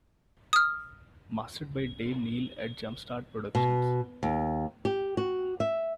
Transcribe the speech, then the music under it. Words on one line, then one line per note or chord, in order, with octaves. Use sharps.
Mastered by Dave Neil at Jumpstart Productions.
D#6 F6
B2
D#2
G4
F#4
E5